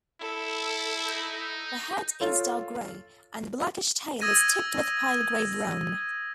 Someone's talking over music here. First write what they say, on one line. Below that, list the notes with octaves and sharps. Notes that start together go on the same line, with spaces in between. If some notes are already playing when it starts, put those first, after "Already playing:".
The head is dark grey, and the blackish tail is tipped with pale grey-brown.
E4 A4
D#4
F4 A4 C#5
D#6 E6 G#6 A#6 D#7